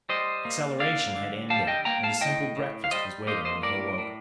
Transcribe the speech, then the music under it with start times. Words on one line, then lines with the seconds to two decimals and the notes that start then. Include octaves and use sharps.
Acceleration had ended, and a simple breakfast was waiting when he awoke.
0.09 G3 C5 D#5
0.45 A#3
0.80 D3 D5 F5
1.16 D3
1.50 G3 F5 A5
1.67 D#5 G5
1.85 A#3 G5 A#5
2.03 F5 A5
2.21 A2 D#5 G5
2.56 A2
2.84 F5
2.91 G3 C5 D#5
3.27 A#3 C5 D#5
3.45 C5 D#5
3.63 A2 A#4 D5
3.98 A2